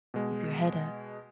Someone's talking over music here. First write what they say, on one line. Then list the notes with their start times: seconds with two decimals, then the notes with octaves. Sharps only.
Keep your head up.
0.14 B2 G#3